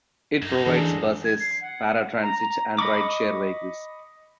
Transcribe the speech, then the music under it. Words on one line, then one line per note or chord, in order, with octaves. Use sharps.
It provides buses, paratransit, and rideshare vehicles.
F#2 D#4
E3 D4 G#4 A4
G#6
C7
F#5
A#5
A#5
D#5 B5 C#6 D6